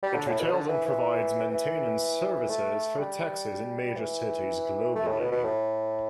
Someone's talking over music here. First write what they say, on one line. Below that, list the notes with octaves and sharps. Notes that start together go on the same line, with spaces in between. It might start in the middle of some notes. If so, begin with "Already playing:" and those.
It retails and provides maintenance services for taxis in major cities globally.
G3
D3
A2
B2
D3
E3
E3
E3
A3
G3
E3
A3
A2
B2
B2
A2